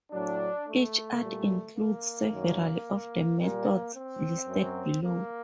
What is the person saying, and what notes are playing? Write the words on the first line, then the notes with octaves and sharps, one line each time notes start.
Each art includes several of the methods listed below.
A2 F#3 D4
A3
A#2 G3
A#3
F#2 D#3 F#3
A#2 G3 A#3
C4
F#2 F#3
A#3